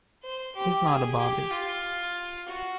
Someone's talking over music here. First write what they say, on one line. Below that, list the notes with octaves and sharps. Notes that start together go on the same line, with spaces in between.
He's not above it.
C5
G4
G#4
G4
F4
F#4